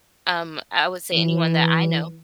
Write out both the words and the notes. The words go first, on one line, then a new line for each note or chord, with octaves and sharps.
Um, I would say anyone that I know.
E3